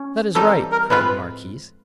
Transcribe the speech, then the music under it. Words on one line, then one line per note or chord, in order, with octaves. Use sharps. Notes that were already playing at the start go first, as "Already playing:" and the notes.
"That is right," cried the marquise.
Already playing: C#4
E3 G3 C4 D#4 G4 A4
A#4
A2 F3 G#3 C4 F4 B4